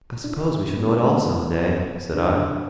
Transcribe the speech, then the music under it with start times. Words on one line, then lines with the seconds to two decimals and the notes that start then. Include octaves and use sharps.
"I suppose we shall know it all some day," said I.
0.24 D4
0.30 A2 E3 E4
0.42 E4
0.53 D4
0.76 B3
0.91 G#3
0.99 A3
1.15 C4
1.22 F2 C3 E3 B3
2.14 F2 C3 E3 D4